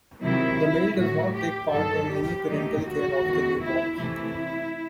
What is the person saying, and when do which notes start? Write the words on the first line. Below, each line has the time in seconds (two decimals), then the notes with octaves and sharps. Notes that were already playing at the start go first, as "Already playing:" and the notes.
The male does not take part in any parental care of the newborns.
0.22 C3 D#3 F#3 E4
0.97 A2 F#3 A3 F#4
1.35 G4
1.72 G2 D#3 F#3 A4
2.10 G4
2.48 D#2 D#3 F#3 A3 D#4
2.86 F#4
3.23 E2 D#3 A3
3.61 E4
3.98 C3 E3 A3 E4